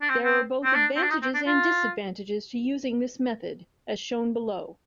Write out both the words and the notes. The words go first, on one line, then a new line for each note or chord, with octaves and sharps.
There are both advantages and disadvantages to using this method, as shown below.
D4
C4
C4
C4
D4
C4
D4
D#4
C4
D4
F4